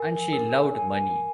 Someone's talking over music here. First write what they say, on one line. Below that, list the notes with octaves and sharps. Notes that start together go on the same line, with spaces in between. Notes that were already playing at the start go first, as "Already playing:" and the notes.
And she loved money.
Already playing: A#4 G#5
A#4
G#5